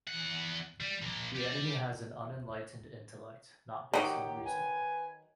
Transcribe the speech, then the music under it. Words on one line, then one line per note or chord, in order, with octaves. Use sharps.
The enemy has an unenlightened intellect, not based on reason.
E2 F#5
G3
F3 A#3
G4 D5
D#3 F#3 D#4 G4
B4 G#5